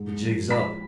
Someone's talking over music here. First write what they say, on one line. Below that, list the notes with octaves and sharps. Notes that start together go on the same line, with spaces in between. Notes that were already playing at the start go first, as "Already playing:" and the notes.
The jig's up.
Already playing: G#2
F3
G#2 B5 B6